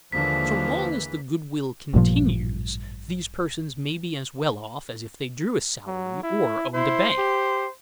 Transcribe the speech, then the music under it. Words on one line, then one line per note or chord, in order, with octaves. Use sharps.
So long as the good-will continues these persons may be as well off as if they drew a salary or owned a bank.
D#2 D3 E3 F3 G#3 A#3 B6
A1 G2 A#2 F3
F#3
E4
E4 C5
G4